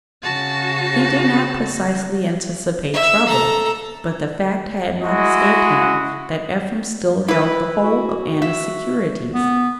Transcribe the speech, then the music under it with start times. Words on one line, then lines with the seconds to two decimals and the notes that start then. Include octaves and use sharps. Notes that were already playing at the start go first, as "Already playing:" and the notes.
He did not precisely anticipate trouble, but the fact had not escaped him that Ephraim still held the whole of Anna's securities.
0.23 C#3 F#4 A5
2.93 E5
3.27 A4 A#5
5.03 G#3 E4 F#4 D#5
7.28 E4 B4
7.84 F#4
8.42 E5
9.34 B3